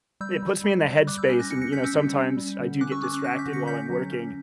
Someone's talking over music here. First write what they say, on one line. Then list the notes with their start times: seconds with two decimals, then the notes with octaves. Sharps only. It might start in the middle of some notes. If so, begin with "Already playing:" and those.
it puts me in the headspace and, you know, sometimes I do get distracted while I'm working,
0.21 G3 E6 G6
0.43 G3
0.64 G3
0.86 G3
1.07 G3 D6 F#6
1.18 E6 G6
1.29 C#4
1.40 F#6 A#6
1.51 C#4 A#6 C#7
1.62 A#6 C#7
1.72 C#4 G6 B6
1.84 E6 G6
1.94 G3
2.16 C#4
2.37 G3
2.59 D3
2.81 C#4 D6 F#6
2.92 C#6 E6
3.02 C#4 D6 F#6
3.14 D6 F#6
3.24 C#4 F#6 A#6
3.39 G6 B6
3.46 D3
3.53 A#6 C#7
3.67 C#4 G6 B6
3.90 F#3
4.12 C#4